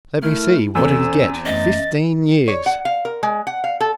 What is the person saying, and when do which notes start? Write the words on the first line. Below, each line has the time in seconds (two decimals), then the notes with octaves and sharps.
"Let me see, what did he get--fifteen years!"
0.23 A3 E4 A#4 F6
0.75 E2 C4 C#4 A4 G#5 E6
1.46 F#2 A3 D#5 A6
2.48 C#5
2.66 F#5
2.85 F5
3.05 A#4
3.23 G#3
3.47 F#5
3.64 F5
3.80 A4